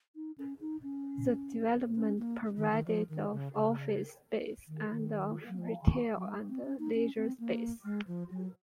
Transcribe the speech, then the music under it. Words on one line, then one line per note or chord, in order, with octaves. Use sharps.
The development provided of office space and of retail and leisure space.
D#4
C#4
D#4
C#4
C#4
A#3
D#3
D#3
F3
D#3
C#3
C#3
D#3
D#3
F#3
F3
D#3
F#3
G#3
C4
C#4
D#4
C#4
C4
A#3
G#3
F3
F#3